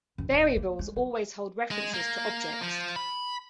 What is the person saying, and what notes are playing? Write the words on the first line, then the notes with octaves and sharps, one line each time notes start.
Variables always hold references to objects.
F#2
D1
A#3
G#3
F#3
G#3
A#3
F3
B5